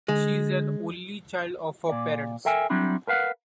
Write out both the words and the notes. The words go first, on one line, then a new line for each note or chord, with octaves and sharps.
She is an only child of her parents.
D3 G#3
A#2 D5
A4 A#4 E5 G5 G#5
F#3 G3 C4 D4 E4
A#4 B4 F5 F#5